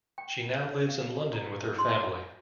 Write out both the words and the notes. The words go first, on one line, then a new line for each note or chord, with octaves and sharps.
She now lives in London with her family.
G5
C#5
F5
A#5
C6